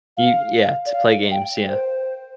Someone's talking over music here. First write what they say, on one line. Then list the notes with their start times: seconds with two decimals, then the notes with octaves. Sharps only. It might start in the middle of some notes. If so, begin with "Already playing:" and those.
E yeah, to play games, yeah.
0.17 F5
0.86 D5
0.93 F5
1.31 G5
1.64 A#4
1.68 C5